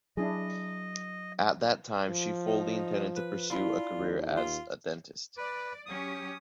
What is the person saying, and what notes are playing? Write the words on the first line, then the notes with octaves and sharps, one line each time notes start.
At that time she "fully intended to pursue a career as a dentist".
F#3 D4 E4 G#4 D#5
F3
D#4
B4
D4 E4 F4
D#2
F4
B4 D5
F#3 C#4 G4 D#6